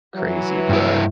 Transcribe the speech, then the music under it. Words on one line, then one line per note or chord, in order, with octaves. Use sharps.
crazy, but
E3 F#3
G2 E4